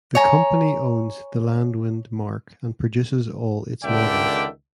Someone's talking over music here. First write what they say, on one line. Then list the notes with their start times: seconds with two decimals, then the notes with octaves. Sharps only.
The company owns the Landwind marque and produces all its models.
0.15 C#5 G#5 A#5
3.84 C#2 D3 D#3 D5 E5 G5